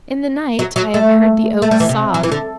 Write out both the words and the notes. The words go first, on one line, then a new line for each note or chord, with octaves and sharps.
In the night I have heard the oak sob.
F#3
F#3
A3
A3
G3
E3
C3
F#3
E3
D3